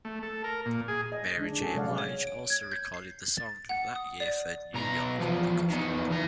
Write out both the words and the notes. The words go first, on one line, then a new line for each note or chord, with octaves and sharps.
Mary J. Blige also recorded the song that year for "New York Undercover".
A3
A4
A#4
A#2
G#4
D#5
D3 G#3 D4
C#4 F#4 G#4 A4
C3 F#3 G#3 D5 F5 F#5
C#5
D7
G#6
G6
C7
A6
F#5
D#6
D5
B1 A#5
E2 F3
E2 D#3
E3 A#5